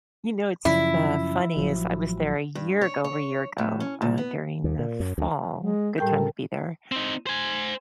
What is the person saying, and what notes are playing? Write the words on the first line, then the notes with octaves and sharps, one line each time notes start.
You know, it's fa funny is, I was there a year ago over a year ago, uh, during the fall- good time to be there-
F#2 C#3 F3 E4
A1 F3 F#3
G2
C#5
C#5
A2
C#4
A#2
B3
D#2
A#2
F#2
D2
G#3
A2 G3 A4 A#4 G5 G6
C4 D#4
C5 G#5